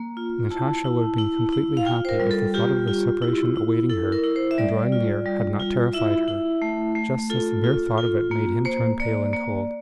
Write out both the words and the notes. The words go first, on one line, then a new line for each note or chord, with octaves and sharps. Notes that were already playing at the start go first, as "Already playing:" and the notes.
Natasha would have been completely happy if the thought of the separation awaiting her and drawing near had not terrified her, just as the mere thought of it made him turn pale and cold.
Already playing: A#3
F4
E4 A5
E4
E4
E4
F5
F4 G5
C5
A#4
G3
A4
F4 G4
F4
E4
E4
E4 A4
A#4
E4
C5
E5
G3 D5
F4
G3
F4
E4 E5
E4
A3
A3
F4 A4
F4
F4
A#3
A#3 C5
A#3 D5
A#3